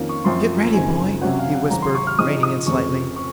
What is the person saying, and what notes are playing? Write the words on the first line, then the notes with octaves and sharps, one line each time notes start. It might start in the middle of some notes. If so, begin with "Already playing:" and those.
"Get ready, boy," he whispered, reining in slightly.
Already playing: F2 D#3 A#3 C#4 F4
C#6
F#2 F3 C4 C6
F#1 F2 D#3 G#3 G#5
C3 F#3 C#4 F#4 C5 F#5
F5
F#5
G#1 G#2 F#3 A#5
C6
C#6
F6
C#3 F3 C4 D#4 D#6
D#6
F1 F2 C#3 C#6
C#6